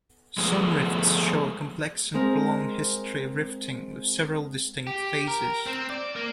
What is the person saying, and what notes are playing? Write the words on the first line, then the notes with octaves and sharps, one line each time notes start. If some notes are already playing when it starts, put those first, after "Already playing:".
Some rifts show a complex and prolonged history of rifting, with several distinct phases.
F3 G#3 A3 B3 G#4
G#3 C4 A#4
G4
A#4
C4
D5
A#3